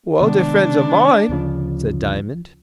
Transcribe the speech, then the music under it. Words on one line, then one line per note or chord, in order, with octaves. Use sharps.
"Well, they're friends of mine," said Diamond.
C3 D#3 G#3 B3 D4
D2 C#3 F3